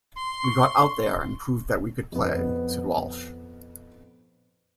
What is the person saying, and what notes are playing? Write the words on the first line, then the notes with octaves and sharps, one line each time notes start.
"We got out there and proved that we could play," said Walsh.
C6
C#6
F2 B3